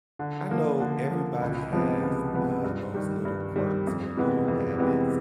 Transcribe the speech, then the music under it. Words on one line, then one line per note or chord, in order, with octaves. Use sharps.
I know everybody has, uh, those little quirks or little habits
D3
F3 A#3
D3
F3 A#3
C#2
C3 F3 G#3 B3
C#2
C3 F3 G#3 B3
G2
D#3 G3
G2
D#3 G3
F2
C3 E3 G#3 B3
F2
C3 E3 G#3 B3